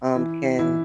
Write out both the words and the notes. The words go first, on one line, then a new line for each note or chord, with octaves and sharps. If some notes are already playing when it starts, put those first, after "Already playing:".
um, can
E3 E4
E3 E4